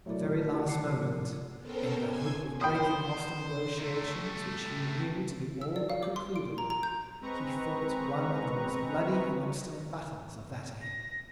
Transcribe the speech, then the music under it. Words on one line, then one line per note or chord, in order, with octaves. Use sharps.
At the very last moment, in the hope of breaking off the negotiation which he knew to be all but concluded, he fought one of the most bloody and obstinate battles of that age.
F#3 A3 E4 A#4 D5
G#3 D4 B6
E4 F4 G4 D5 F#5 A5
D6 F#6 C7 C#7
C3 F3 A#4
B3 C#4 A4 A#4 C5 G5
G#5 C6 E6 G#6
C5 G5 B5 D#6
C3 A3
E6
D5
F5
D6
C6
D7
A#5
A#5
G6
G#3 C4 B4 A#5 C#6
A#6